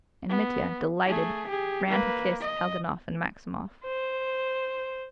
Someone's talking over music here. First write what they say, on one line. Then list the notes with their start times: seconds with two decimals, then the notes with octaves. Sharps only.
And Mitya, delighted, ran to kiss Kalganov and Maximov.
0.29 B3
1.06 A3 G#4
1.47 G4 G#4
1.88 A#3 B4
2.41 D#5
3.84 C5